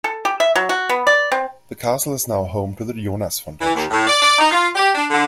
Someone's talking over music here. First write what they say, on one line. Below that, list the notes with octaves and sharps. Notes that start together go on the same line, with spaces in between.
The castle is now home to the Jonas-Foundation.
A4
G4
E5
F#3
F#4
B3
D5
C4
E3
D#2
A2
D5
D5
D#4
F4
G4
D4
D3